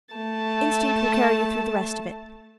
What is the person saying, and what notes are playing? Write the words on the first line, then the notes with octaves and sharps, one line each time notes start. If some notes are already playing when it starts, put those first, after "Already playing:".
"Instinct will carry you through the rest of it."
A3 A5